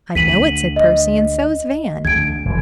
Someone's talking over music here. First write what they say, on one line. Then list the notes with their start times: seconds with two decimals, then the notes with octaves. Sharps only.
"I know it," said Percy, "and so's Van!"
0.15 D2 B6 D#7 F#7
0.76 D#5
2.05 D2 G#6 D7
2.45 F1 E3